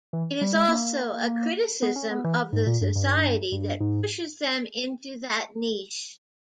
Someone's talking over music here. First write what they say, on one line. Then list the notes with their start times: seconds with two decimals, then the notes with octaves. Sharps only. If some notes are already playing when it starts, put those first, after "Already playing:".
It is also a criticism of the society that pushes them into that niche.
0.13 E3
0.41 G3
0.54 G#3
0.68 A#3
1.82 B3
1.96 C#4
2.11 B3
2.24 E3
2.53 G#2
2.67 A#2
2.81 G2
2.96 G2
3.52 G2
3.80 G#2